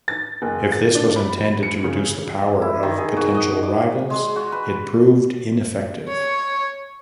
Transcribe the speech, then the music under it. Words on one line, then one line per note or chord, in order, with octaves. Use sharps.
If this was intended to reduce the power of potential rivals, it proved ineffective.
A6
F#1
A6
D4
B5
C#7
C#3
E4
D#3
G#4
F#4
D#5
D5
G#3
F#4
B4
C#5